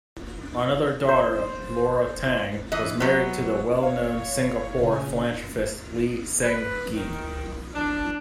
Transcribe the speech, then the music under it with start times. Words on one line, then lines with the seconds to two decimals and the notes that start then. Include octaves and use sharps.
Another daughter Lora Tang was married to the well-known Singapore philanthropist Lee Seng Gee.
1.08 C5
2.72 E3 D#5
3.00 F#3 B3
3.83 C#5 F5
4.83 A#2 C#3 C#4
6.43 B4
6.96 D#3
7.75 D4